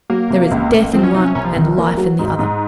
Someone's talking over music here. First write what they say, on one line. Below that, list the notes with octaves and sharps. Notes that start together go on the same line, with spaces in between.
There is death in one and life in the other.
F#3 A#3
C3
C#2
C#2
F3 C4
C#4
C3 D#4
C#4
C2 C#4
F3
C2 D#3
A#3
F#3
G#2
G#2